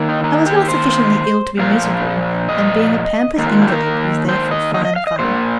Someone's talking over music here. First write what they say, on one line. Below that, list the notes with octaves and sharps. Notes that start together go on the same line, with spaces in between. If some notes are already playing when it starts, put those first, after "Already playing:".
I was not sufficiently ill to be miserable, and being a pampered invalid was therefore fine fun.
Already playing: D#3 A#3
D#4
D#4
G4
C5
A#2 F3 A#3 F5
D#5
D#3 A#3 D#4
F4
F4
G4
A#4
C5
D#5
D#5
D#5
F5
D#5
A#2 A#3 C5